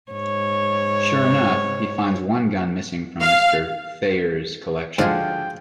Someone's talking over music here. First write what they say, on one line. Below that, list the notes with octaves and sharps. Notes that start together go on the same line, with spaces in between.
Sure enough, he finds one gun missing from Mr. Thayer's collection.
G#2 C#5
F5
G#2 D3 F3 G#3 F4 F#4 G#4 G5